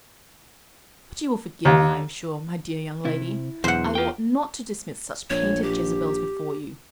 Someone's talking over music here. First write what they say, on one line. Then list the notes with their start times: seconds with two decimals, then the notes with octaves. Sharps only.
But you will forgive me, I am sure, my dear young lady: I ought not to discuss such painted Jezebels before you.
1.65 D#2
3.05 C3 E4
3.64 B1 E2 C5 F#5
3.95 F4 G5
5.30 A#1 C#5
5.63 G4